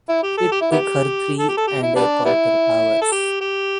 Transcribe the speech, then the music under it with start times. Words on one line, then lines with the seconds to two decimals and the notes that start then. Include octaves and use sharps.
It took her three and a quarter hours.
0.09 E4
0.23 G4
0.37 A4
0.52 G4
0.61 E4
0.72 B3 E4 G4
1.39 A4
1.48 G4
1.57 A4
1.67 G4
1.82 E4
1.96 G3 B3 D4
2.25 G3 B3 E4
3.01 A4
3.12 G4
3.41 G4